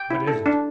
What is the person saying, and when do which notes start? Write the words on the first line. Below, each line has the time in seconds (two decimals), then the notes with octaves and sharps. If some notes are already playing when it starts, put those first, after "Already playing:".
"What is it?"
Already playing: G5
0.11 E4
0.28 A4
0.46 D4